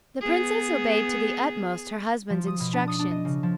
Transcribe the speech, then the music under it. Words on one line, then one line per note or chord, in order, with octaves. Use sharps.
The princess obeyed to the utmost her husband's instructions.
B3 G#4
F3
D#6
B2
D4
D#6
D4
D#5
C#3
F3